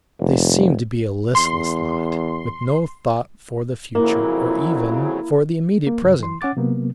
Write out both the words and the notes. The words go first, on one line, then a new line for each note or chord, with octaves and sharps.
They seemed to be a listless lot, with no thought for the future, or even for the immediate present.
F1
E2 C6
F2 C#3 F#3 A#3 E4
A#3
G2 C#3
E3 C6
C#4 F#5 D6 A6
C3 F#3 A#3 B3